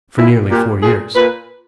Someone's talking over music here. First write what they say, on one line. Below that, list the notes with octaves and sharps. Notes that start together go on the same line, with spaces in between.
"For nearly four years."
A#2 E4
A#2 G4
A#2 G#4
A#2 B4